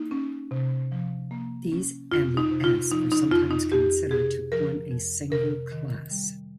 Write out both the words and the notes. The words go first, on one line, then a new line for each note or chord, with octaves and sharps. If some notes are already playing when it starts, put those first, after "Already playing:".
These and the s are sometimes considered to form a single class.
Already playing: A#3 D#4
C#4
C3
F3
A#3
C#4
F2 F4
D#4
C3
F4
F3 D#4
D#4
F2 F4
D#4
F2 G4
C3 G#4
F3 A#4
F2
C3 A#4
D#3
G3